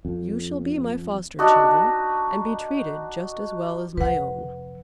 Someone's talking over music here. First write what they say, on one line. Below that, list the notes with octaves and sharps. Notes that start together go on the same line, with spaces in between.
"You shall be my foster--children, and be treated just as well as my own."
F2
D4 D#4 F#4
F2 C3 B4 F#5